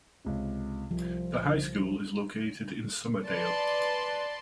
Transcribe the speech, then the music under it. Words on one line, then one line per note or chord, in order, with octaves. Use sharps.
The high school is located in Somerdale.
C#2 C3
C2 F3
B4 D5 A5 C6